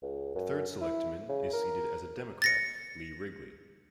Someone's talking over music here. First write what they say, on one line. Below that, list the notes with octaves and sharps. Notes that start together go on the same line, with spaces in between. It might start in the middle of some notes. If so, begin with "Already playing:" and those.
Third Selectman is seated as a Democrat, Lee Wrigley.
C#2
F#2
E4
C#3
A#4
A6 A#6 C#7